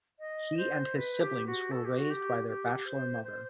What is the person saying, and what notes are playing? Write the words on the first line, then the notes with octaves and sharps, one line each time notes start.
He and his siblings were raised by their bachelor mother.
D#5
C5
B4
G4
F#4
A4
G4
F#4
G4
G4
C5
C5